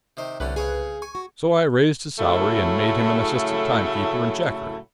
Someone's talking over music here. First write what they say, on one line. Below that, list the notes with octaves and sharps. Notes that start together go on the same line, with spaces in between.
So I raised his salary, and made him an assistant timekeeper and checker.
C3 D#3 C5
C2 D3 A3 C#4 B4 F#6
C#3 G#4 C#5 G#5
G#5 C#6
F#4
A2 C#3 F#3 A3 E4